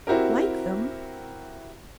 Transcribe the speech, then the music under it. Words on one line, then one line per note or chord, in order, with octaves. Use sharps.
Like them!
C4 E4 F#4 G4 A#4